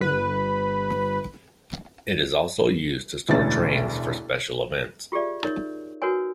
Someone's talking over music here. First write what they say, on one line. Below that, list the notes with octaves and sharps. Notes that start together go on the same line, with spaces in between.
It is also used to store trains for special events.
G1 B4
E1 A1 D2 C#4 A6
F4 G4 G#4 D5 E5
D#4 A#4 C#5
F#4 A#4 B4 C#5 G#5